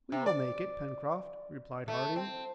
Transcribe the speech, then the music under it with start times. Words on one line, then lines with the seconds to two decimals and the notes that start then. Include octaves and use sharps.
"We will make it, Pencroft," replied Harding.
0.12 C3
0.26 D5
1.88 A3
2.16 C4